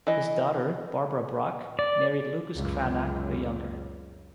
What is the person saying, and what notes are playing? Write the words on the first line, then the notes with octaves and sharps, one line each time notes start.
His daughter Barbara Bruck married Lucas Cranach the Younger.
E3 D#5
D5
C#2 F#2